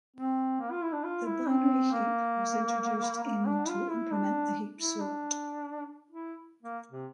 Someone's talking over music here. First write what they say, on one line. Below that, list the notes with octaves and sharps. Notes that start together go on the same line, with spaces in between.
The binary heap was introduced in to implement the heapsort.
C4
A#3
F4
E4
D4
F4
E4
C4
A#3
A#3
D4
F4
E4
D4
E4
D4
E4
A#3
C3